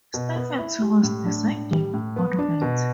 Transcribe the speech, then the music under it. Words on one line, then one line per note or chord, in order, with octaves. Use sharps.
Steffen Thomas designed the monument.
B2
B3
E4
G3
A2
D4
A2
G3
A2
B3
D4
B2